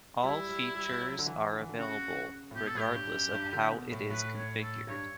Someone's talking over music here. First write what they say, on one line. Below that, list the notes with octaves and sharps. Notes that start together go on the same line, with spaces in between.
All features are available regardless of how it is configured.
G3 E4
G3
G3
F#3
D3
E3
D3
E3
D3
C#3 F#4
A2
B2 G4
A4
A2 G4
G2
F#2
G2
D3
B2
A2
A2 B4
C#5
A4
G2 C#5